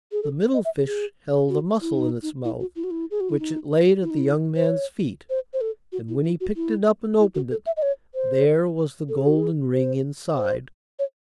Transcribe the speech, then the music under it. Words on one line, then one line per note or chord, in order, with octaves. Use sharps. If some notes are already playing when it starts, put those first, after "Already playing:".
The middle fish held a mussel in its mouth, which it laid at the young man's feet, and when he picked it up and opened it, there was the golden ring inside.
G#4
A4
D#5
E5
G#4
F#4
E4
D#4
D#4
E4
F#4
E4
F#4
E4
G#4
F#4
E4
D#4
E4
D#4
E4
C5
C#5
C5
C5
A4
F#4
E4
E4
F#4
E4
E4
F#4
A4
E5
D#5
C#5
C5
A4
G#4
F#4
G#4
C5
C5
C#5